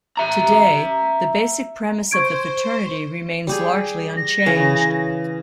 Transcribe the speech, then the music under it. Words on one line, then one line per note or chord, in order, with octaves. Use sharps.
Today, the basic premise of the fraternity remains largely unchanged.
E5 A#5
C5 C#6 G#6 D7
G3 G4 G#4
A#6
C#3 E3 C#4